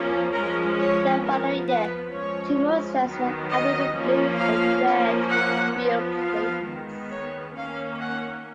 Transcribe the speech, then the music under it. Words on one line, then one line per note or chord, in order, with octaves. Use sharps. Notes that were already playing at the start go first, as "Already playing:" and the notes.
The following year, two more sets were added with blue and red wheel plates.
Already playing: F3 A#3 C#4
F3 G#3 C#4 A#4
C#5
F3 B3 A#4
B4
F3 G#3 C#4 C#5
D#3 F#3 B3
D#5
F3 A#3 C#4
F5
F3 A#3 C#4
F#5
F3 B3
F5
D#3 G#3 B3
C#5
D#3 A#3 C#4 F5
F#5